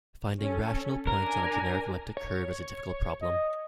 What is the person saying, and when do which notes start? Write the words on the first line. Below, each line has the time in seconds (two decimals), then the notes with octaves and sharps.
Finding rational points on a general elliptic curve is a difficult problem.
0.41 C#4 A4
1.07 D4 A#4 G#5
2.17 C#5
3.22 D#5